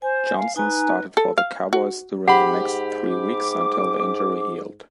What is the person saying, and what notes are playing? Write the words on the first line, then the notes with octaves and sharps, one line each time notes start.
Johnson started for the Cowboys during the next three weeks until the injury healed.
C5 G#5
F5
D#4 B4 G#5 A#5
A4
F5
F#4
G#2 G4 F#5 B5
D6